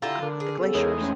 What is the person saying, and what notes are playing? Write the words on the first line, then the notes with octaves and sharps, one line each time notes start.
uh, the glaciers.
D3 E4 F4 G4 A4 A#5
D3 A#4
G#4
C#3 B3 A4
E2 G#3 D#4 A#4 C#5 D#5
A3 C4 C#4